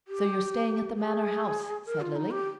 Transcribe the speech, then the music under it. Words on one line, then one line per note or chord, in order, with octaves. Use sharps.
"So you're staying at the Manor House," said Lily.
G4
G#4
A#4
F4
D#4
G4